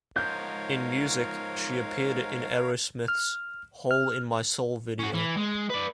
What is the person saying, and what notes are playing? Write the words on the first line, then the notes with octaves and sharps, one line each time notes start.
In music, she appeared in Aerosmith's "Hole in My Soul" video.
G#2 F3 A#4 C#5 F5 G6
F6
F6
C#4 F#4
E3
G#3
B4 D5